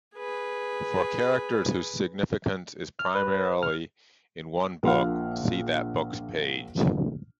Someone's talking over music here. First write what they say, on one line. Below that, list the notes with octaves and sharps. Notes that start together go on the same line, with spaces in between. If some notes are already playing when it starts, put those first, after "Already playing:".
For characters whose significance is primarily in one book, see that book's page.
G#4 B4
F6
B4
F6
A#1 A#2 D4 F5 F#5 F6